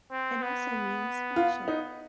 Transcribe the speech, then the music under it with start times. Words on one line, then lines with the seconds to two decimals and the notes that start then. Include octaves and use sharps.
It also means friendship.
0.12 C4
0.42 B3
1.36 F4
1.68 D#4